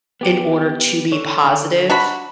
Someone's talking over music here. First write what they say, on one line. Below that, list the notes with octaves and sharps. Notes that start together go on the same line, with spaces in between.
in order to be positive,
B3 G4
D3 C#5
D4 F#4 B5